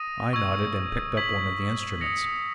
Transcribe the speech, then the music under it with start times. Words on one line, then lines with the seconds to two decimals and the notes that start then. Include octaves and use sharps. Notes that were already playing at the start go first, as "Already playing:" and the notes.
I nodded, and picked up one of the instruments.
Already playing: D#6 A#6 D#7
0.33 C#6 E6 G#6
1.17 G#6 B6 F#7
2.01 D#6 A#6 C#7